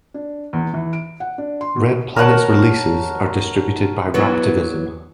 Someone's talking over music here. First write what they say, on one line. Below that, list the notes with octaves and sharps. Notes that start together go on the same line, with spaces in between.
Red Planet's releases are distributed by Raptivism.
D4
E2
E3
D7
F#5
D4
C6
B2
A#4 C#5 F#5 A5
E3 F#3 B3